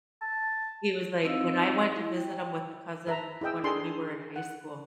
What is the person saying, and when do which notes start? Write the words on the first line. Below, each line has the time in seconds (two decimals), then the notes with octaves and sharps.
He was, like, when I went to visit him with a cousin when I we were in high school,
0.22 A5
1.23 C4 D#4 F4 D#5 F5 E6
1.92 E4
2.17 G5
3.07 B4 E5 A5 A#5
3.41 E4 G#4 D#5 G5 E6
3.64 D4 G#4 A4 C6
4.36 F#5